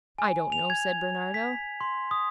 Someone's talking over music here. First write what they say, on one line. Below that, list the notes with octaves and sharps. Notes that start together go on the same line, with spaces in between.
"I don't know," said Bernardo.
G#5
F7
G#6
B6
C6
D#6